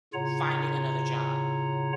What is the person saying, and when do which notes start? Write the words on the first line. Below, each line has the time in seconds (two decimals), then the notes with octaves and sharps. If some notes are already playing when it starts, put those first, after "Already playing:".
finding another job
0.14 A2 C#3 F4 C#5 F#5 A#5